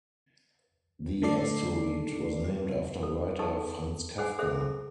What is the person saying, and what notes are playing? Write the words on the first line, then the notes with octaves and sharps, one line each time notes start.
The asteroid was named after writer Franz Kafka.
D3 A3 A4 D5 C7
A4
D#4 G#4 A4 A5 C#6
G#4 C5 F#5 G#5
G#4 A4 C5 E5